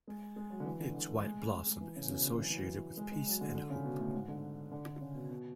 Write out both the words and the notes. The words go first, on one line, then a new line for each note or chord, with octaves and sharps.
Its white blossom is associated with peace and hope.
G#3
G#3
F#3
D3
E3
D3
D3
A3
G#3
G#3
G#3
E3
C#3
B2
C#3
D3
F#3
E3
E3
F#3
G#3
G#3
F#3
D3
D3
C#3
B2
A2
G#2
D3
D3
D3
C#3
B2
B2